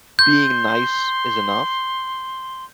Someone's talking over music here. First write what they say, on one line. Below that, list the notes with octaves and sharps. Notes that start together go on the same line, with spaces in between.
being nice is enough?
C6 G6